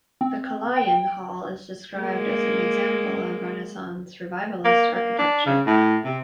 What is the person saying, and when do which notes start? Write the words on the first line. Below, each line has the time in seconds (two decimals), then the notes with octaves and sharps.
The Kalayaan Hall is described as an example of Renaissance–Revivalist architecture.
0.21 C4
0.76 G5
1.96 G#3 A#3
4.65 A#3
4.95 A#3
5.19 D4
5.46 C#3
5.67 A2
6.04 C3